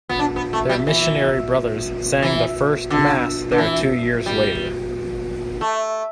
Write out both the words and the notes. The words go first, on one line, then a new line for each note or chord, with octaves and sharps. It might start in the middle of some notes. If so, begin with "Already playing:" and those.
Their missionary brothers sang the first Mass there two years later.
B3
D4
B3
A3
G3
E3
E3
D3
D3
E3
G3
A3